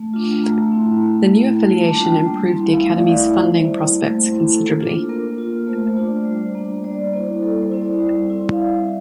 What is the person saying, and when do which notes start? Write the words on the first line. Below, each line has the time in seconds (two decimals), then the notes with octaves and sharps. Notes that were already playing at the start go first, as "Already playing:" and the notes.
The new affiliation improved the Academy's funding prospects considerably.
Already playing: A3
0.14 D4 F4
0.43 A3 A#5
0.72 C4 E4
1.01 A3
1.31 E4
1.59 G3 A5
1.74 A5
1.88 A#3 D4 F4 A5
2.03 G5
2.18 G3
2.47 C4 E4
2.71 F5
2.76 A3 E5
2.96 D5
3.05 C4 E4
3.15 D5
3.34 G3 C5
3.64 A#3 E4
3.93 A3
4.21 C4 E4
4.51 A#3 A4
4.80 D4 F4
5.09 A#3 A#4
5.38 F4
5.67 A3 C5
5.87 C5
5.97 D4 F4
6.06 D5
6.25 G3
6.55 A#3 D4
6.84 G3 D5
7.13 A#3 E4 C5
7.42 G3 A4
7.61 C5
7.72 C4 E4
7.82 D5
8.00 G3
8.30 C4 E4
8.52 F5
8.59 G3 E5